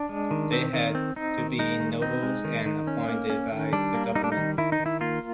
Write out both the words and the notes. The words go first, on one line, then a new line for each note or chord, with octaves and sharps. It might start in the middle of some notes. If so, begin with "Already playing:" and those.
They had to be nobles and appointed by the government.
Already playing: D4
G#3
D#3
C4
D#3
C4
C4 D#4
D#3
G#3 D#4
D#3
C4 D#4
G#3
D#3
D#3
C#4
A#3
C#4
D#3
G3 D4
A#3
G3 D#4
D4
D#4
D#3
D#3 E4
D#4
D#3
E4
A#3 F4